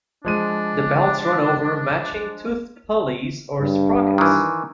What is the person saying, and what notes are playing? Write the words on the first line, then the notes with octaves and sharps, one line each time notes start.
The belts run over matching toothed pulleys or sprockets.
F3 G#3 D4 D#7
G2
D#3 E3